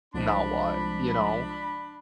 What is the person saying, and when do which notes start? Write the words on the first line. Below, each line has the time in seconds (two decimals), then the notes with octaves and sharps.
now what, you know
0.14 C2 F3 G#3 D4 B5